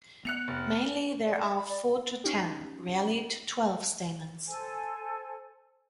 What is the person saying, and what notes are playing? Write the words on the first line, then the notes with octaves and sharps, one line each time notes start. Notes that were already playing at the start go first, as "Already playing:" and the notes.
Mainly there are four to ten, rarely to twelve stamens.
B3 F#6 C#7 F7
F1
D5
E5
B5
D5
C#4 D#4 G4
A4 C5 G#5